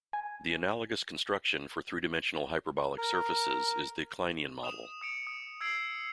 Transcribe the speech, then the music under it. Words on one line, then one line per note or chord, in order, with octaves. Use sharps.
The analogous construction for three-dimensional hyperbolic surfaces is the Kleinian model.
G#5
A#4
D#6 E7 F7
D#6 C#7 D7 F7
D#6
E6 G#6 C7 D7